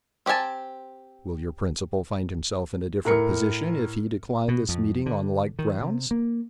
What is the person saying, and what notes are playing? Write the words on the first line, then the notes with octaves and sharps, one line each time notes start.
Will your principal find himself in a different position if he decline this meeting on like grounds?
C4 G4 D5 G#5 A5
A2 A#4 C#7
B2
F2
D3
D#3
C3
A#3